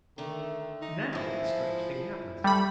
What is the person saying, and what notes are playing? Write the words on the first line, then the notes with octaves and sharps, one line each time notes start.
Now a strange thing happens.
D3 D#3 A3
D#4
F3 G#3 E4
G3 A3 B5